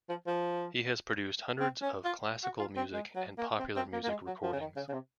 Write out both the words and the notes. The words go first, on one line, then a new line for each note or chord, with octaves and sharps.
He has produced hundreds of classical music and popular music recordings.
F3
F3
C4
C#4
F4
F#4
F4
C4
G#3
F#3
A#3
C4
C4
A#3
A#3
G#3
F#3
F3
C#3
D#3
C#3
C#3
C3